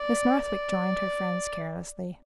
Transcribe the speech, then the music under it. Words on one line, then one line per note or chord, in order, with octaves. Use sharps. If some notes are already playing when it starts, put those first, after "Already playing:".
Miss Northwick joined her friends carelessly.
Already playing: D5
D5